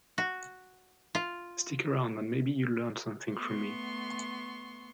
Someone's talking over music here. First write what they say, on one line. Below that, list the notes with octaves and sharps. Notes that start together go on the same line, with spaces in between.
Stick around and maybe you'll learn something from me.
F#4
F4
A3 B3 C6 C#6